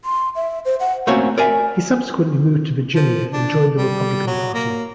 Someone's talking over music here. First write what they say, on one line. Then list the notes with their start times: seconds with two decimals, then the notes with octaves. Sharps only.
He subsequently moved to Virginia and joined the Republican Party.
0.05 C6
0.36 E5
0.65 C5
0.80 F#5
1.07 A3 A#3 C4 C#4 F#4 C#5
1.38 A#4 D5 E5 G#5
2.95 F3
3.33 D4
3.78 G3
4.27 F#3
4.54 A#3